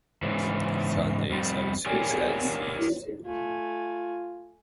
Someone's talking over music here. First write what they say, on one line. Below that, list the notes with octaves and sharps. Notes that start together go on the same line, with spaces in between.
Sunday services had ceased.
G#2 C#3 E3
F2 G3
G4 A#4 C#5 D5 G5 G#5
A3 F4 G#5